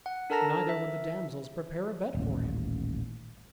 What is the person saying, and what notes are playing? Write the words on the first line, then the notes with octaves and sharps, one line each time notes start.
Neither would the damsels prepare a bed for him.
F#5
D4 A4 A#4 A5 A#5 A#6
E5
D#1 A1